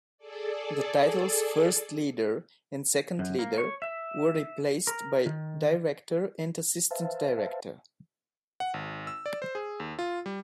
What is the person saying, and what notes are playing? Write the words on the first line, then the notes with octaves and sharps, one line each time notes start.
The titles First Leader and Second Leader were replaced by Director and Assistant Director.
G#4 A4 D5
F#2
A#3
C#5
E5
A#4
D#3
B4 C5 E5 F5 A5
F#5
G#1
E6
D5
C5
G#4
D#2
F4
G3